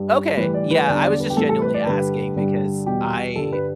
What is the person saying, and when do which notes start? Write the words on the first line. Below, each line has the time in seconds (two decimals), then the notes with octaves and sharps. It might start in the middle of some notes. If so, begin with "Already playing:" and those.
Okay. Yeah. I was just genuinely asking because I
Already playing: G2 G3
0.37 A2 E3 G3 B4
0.54 D5
0.71 B4
0.87 E2 D3 G3 D5
1.04 D5
1.20 B4
1.30 G4
1.37 A2 E3 G3 A4
1.49 A4
1.62 B4
1.74 D5
1.86 G2 D3 G3 B4
2.36 G2 D3 G3
2.86 E2 B2 G3 G4
3.36 G2 D3 G3 A4
3.53 B4